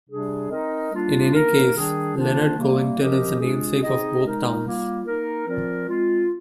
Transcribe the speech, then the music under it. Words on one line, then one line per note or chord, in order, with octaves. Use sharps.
In any case, Leonard Covington is the namesake of both towns.
C3 G3 D4 G#4
C4 D#4 A#4 D#5
G3 A#3 D4 F4
A#3 D#4 A#4
D#3 G3 D4 G#4
D#3 A#3 D4 F4 C5
C3 G3 A#3
F3 C4 G4 A#4 D#5
G#3 D4 F4 G#4
C4 D#4 G#4 D#5
G#3 D#4 A#4
G3 A#3 F4
A#3 D#4 A#4
F3 C4 F4 A#4 D5
G#3 C4 F4